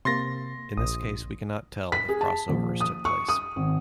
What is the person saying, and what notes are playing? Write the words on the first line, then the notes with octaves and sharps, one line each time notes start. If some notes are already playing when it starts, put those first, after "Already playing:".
In this case we cannot tell if crossovers took place.
C3 A#3 C6 A6 A#6
A#1 D#6
B6
G#4
A5
A#1
D#6
C#6
D#6
G#1